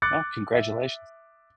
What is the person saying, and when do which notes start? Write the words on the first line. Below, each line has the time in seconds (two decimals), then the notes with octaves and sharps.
Oh, congratulations.
0.02 D6 F#6 A6 C#7
0.53 E5